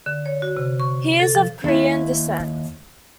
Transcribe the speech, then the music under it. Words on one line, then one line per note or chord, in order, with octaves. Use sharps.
He is of Korean descent.
D3
C#5
F#4
C3
C#6
A4
F3
D#2 E4